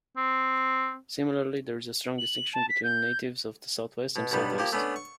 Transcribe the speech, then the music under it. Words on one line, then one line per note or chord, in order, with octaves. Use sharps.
Similarly, there is a strong distinction between natives of the south-west and south-east.
C4
F#7
A5
B6
G6
B2
B1 G2 G3 B3
F3 A#3 G4
A3 B3 C#4 D4
C#6